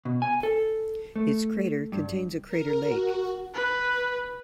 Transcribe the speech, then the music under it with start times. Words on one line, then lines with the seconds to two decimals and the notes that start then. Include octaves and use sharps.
Its crater contains a crater lake.
0.05 B2
0.22 G#5
0.43 A4
1.16 A3
1.92 G2
2.48 A#4
2.85 F#4
3.55 B4